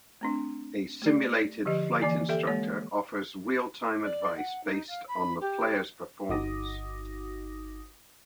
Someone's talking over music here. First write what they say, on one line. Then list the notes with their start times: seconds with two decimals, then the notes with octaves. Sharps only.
A simulated flight instructor offers real-time advice based on the player's performance.
0.21 A3 C4 D4
1.02 A3 G4 D5
1.65 D3 F3 G4 D#5
2.02 E3 A#3 D5 G#5
2.29 G4 A4 E5 G5
2.47 G#3 A#3 C#5
4.03 D5
4.36 F#5
4.63 D#4
4.87 F5
5.07 B5
5.40 G4
6.29 G1 D#4 F#4 D6 D#6 A#6